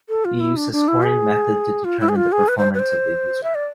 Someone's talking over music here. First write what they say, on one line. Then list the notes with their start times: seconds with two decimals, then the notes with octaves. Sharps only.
It used a scoring method to determine the performance of the user.
0.09 A4
0.25 F4
0.40 E4
0.57 D4
0.72 D4
0.88 E4
1.05 G#4
1.84 F4
2.00 E4
2.09 G#4
2.16 F4
2.32 G#4
2.48 B4
2.58 C5
2.74 B4
2.79 C5
3.43 E5
3.55 D5